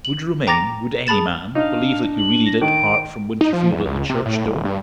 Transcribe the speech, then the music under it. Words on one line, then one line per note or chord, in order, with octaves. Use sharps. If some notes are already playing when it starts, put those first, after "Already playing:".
Would Romayne--would any man--believe that you really did part from Winterfield at the church door?
F#7
G5 A#5 D6 A6 A#6 F7
G#4 A5 B5 A6 E7
D4 D#4 F5
F#7
A#6
D#3 D7
D#4
F3
E2
C#2
C3
A2
D#1
G2